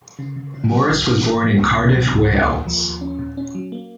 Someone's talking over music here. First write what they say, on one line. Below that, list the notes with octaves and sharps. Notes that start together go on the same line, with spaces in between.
Morris was born in Cardiff, Wales.
C#3
C#3
C#3
F#3
G#1
G#1
G#2
F3
C#2
C3
F#3
C#2
D#2
A#3
F3
D#2
C#4
A#2
C#4
F#3
A#3